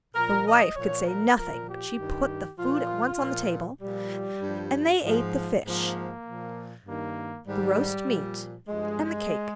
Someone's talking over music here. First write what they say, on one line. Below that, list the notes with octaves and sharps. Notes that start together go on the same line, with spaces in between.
The wife could say nothing, but she put the food at once on the table, and they ate the fish, the roast meat, and the cakes.
A#2 F3 A#4
D#5
A#2 F3 C#5
A#4
A#2 F3 A#4
G4
G2 D#3
A#2 F3 F4
A#2 F3
A#2 F3 G3
G2 F3
G#2 F3
G#2 F3 A#3
A#2 F3
G2 D#3 A#3
G#2 D#3 G3
A#2 F3
G2 F3 G#3